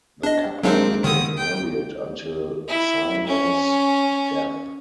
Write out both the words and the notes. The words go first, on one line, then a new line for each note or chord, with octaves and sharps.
The couple remained married until Sima's death.
D4 D#5
F#3 G#3 A#3 C4 D4 D#4 F5
D3 D#3 D#6
G5
E4
C#4